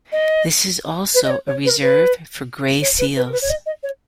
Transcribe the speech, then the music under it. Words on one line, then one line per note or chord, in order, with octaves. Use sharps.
This is also a reserve for grey seals.
D#5
B4
D#5
C#5
C#5
B4
A#4
B4
C#5
B4
B4
A#4
B4
C#5
D#5
D#5
C#5